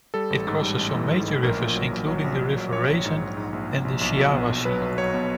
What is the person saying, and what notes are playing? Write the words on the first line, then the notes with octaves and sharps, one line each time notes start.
It crosses some major rivers, including the River Raisin and the Shiawassee.
G3 A4
A1
G#2
G3
A1
E3
G#2
A1
A#1 A#4
A#2
F#3
A#1
F#3
A#1
A#1
F#3
A#1 C#5
A#1
G#2
G#2
G#2
A#1
A#1
A#1
B1
F#3
B2
B1
F#3 B4
B1
F#3 C#5
B2